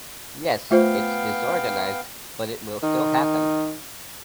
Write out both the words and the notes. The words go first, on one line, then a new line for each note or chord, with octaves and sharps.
Yes, it’s disorganized but it will still happen.
A3 B3 F4 C5 F5 G5
D#3